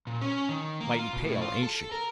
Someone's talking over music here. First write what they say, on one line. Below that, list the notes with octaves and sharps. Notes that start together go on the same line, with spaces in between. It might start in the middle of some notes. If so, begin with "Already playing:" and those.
"Mighty pale, ain't she?"
A#2
C#4
D#3
A#3
F4
B2
A2
F4
A4
A#4